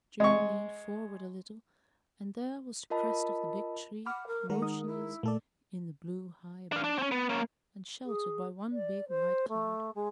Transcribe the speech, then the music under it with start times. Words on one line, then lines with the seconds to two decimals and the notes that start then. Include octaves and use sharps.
June leaned forward a little, and there was the crest of the big tree motionless in the blue high above, and sheltered by one big white cloud.
0.20 G#3 C#6
2.90 F4 A#4 D#5 A5 B5
4.06 F#5 B5 D6 F6
4.27 A#4
4.49 D#3 G#3 A#4 F#5
4.62 D#4 D#6
4.86 E4
5.23 A#2 A3 A4 D5
6.72 D4 F5
6.84 D4
6.98 C4 C#4
7.12 B3
7.30 A#3 C#4
8.05 G#4
8.72 D5
9.08 C5
9.49 A3
9.95 G#3